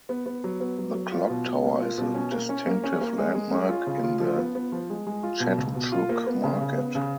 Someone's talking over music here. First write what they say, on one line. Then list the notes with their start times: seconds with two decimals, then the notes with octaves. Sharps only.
The clock tower is a distinctive landmark in the Chatuchuk Market.
0.09 B3
0.26 B3
0.44 F#3
0.60 B3
0.78 F#3
0.95 F#3
1.12 F4
1.30 B2
1.47 B2
1.64 A#3
1.81 F4
1.98 B2
2.15 C#4
2.32 A#3
2.49 C#4
2.67 A#3
2.84 C#4
3.01 A#3
3.18 G#3
3.35 G#3
3.52 C#4
3.69 F4
3.87 C#3
4.04 F4
4.20 F3
4.38 B3
4.55 B3
4.72 F3
4.90 G#3
5.07 G#3
5.23 F4
5.40 B2
5.58 C#2
5.75 B2
5.92 F4
6.09 A#3
6.27 B3
6.44 C#3
6.61 C#3
6.77 B3
6.95 C#3